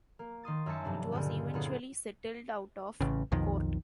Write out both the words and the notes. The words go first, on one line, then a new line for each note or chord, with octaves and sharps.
It was eventually settled out of court.
A#3
D#3 C6 D#6 A6
F#2 E5 G#5 A5 C#7
F1 G2 C3 D4
C#2 G2 A#2 D3
F#1 D2 A#2 B3 G#4 C#7
A1 C#3
B1 F2 D#3